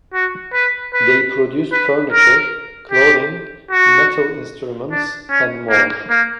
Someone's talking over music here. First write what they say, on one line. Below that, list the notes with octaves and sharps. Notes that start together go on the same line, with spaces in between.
They produced furniture, clothing, metal instruments and more.
F#4
B4
B4
B4
A#4
G4
F#4
D4
C#4
A#3
A#3